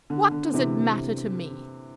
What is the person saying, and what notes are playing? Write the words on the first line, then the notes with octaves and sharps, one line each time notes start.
"What does it matter to me?"
D3
D3
C3 E3